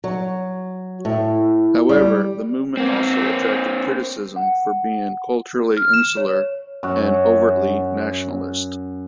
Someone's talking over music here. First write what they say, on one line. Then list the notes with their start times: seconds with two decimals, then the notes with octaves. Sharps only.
However, the movement also attracted criticism for being culturally insular and overtly nationalist.
0.04 F#3
1.05 A2
1.89 G3
2.77 A#3 C4
4.36 F#5
5.77 F6
5.94 E7
6.17 C#5
6.83 F#2 F#4